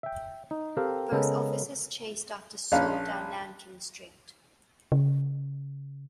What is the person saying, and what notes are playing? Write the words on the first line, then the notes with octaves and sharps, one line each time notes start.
Both officers chased after Soh down Nankin Street.
E5 G5
D#4
C4 G4 A4 A#4 F5
C#3 G#3 B3 A4 A#4
A#1 C#4 F5
C#3